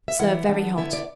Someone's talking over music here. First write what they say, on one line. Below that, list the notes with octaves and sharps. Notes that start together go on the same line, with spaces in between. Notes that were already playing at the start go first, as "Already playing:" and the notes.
Serve very hot.
E5
E3 B3 E4 F#5
E3 B3 D4
D3 B3 E4 E5
D5